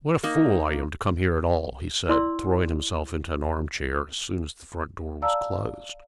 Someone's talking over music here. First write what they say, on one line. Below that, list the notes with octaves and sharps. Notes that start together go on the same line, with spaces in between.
"What a fool I am to come here at all," he said, throwing himself into an arm-chair as soon as the front door was closed.
A#3 D#4
E4 D5 C6 E6
D5 F5 A5 A#5 E6